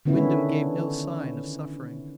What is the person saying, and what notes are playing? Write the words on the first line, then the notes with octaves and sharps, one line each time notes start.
Wyndham gave no sign of suffering.
D3 D#3 B3 C#4 E4